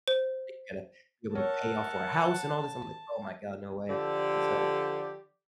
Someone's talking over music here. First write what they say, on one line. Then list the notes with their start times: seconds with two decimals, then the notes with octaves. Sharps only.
you gotta be able to pay off for a house and all this," I'm like, "Oh my god, no way," and so, um,
0.08 C5
1.35 A4 A#4 C#5 F#5 A5
3.89 D3 F3 G4 A4 D5